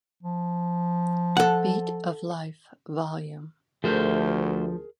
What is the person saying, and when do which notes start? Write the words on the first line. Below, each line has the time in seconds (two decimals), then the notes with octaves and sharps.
Beat of Life Vol.
0.23 F3
1.37 A4 F#5
3.84 D2 F3 A3 G#4 A#4 C5 G6